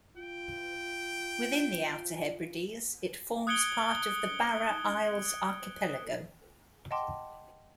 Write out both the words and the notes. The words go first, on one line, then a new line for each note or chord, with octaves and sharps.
Within the Outer Hebrides, it forms part of the Barra Isles archipelago.
F4 G5
D#6 F#6 G#6 C#7 D7 G7
D#5 F#5 G5 A5 C6 D6